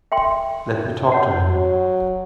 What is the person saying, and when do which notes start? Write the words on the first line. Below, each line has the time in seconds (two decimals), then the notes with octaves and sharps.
Let me talk to him.
0.12 E5 G5 C6
1.12 C#5 F#5
1.46 F#3